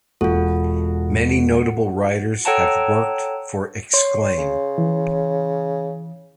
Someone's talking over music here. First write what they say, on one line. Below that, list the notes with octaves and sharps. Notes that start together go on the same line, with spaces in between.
Many notable writers have worked for Exclaim!
E1 F4 F#4 A4
A4 C#5 F#5 G5 A5 A#5
C#5 C6
C#3
E3